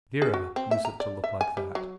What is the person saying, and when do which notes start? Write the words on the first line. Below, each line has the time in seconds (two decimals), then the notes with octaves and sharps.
Vera usedn't to look like that.
0.22 G#4
0.34 F#4
0.56 C4
0.71 E5
0.85 A#5
1.00 D5
1.24 E5
1.41 G#5
1.57 G3
1.75 F#3